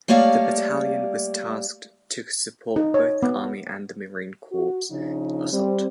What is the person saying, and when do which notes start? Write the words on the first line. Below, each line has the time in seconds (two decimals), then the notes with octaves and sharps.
The battalion was tasked to support both the Army and the Marine Corps assault.
0.08 G3 A3 A#3 C#5 D5 F5
2.76 D#4
2.94 C#5
3.23 B3
4.52 F#4
4.90 C#3 F3 D4 D#4
5.52 G3 C4